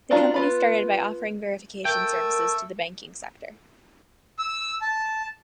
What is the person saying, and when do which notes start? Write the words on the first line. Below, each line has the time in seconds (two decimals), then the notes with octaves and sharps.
The company started by offering verification services to the banking sector.
0.11 D4 D#4 F4 F#4 D5
0.34 B3 F4 B5
1.85 A3 A#4 E5 G5
4.39 E6
4.82 A5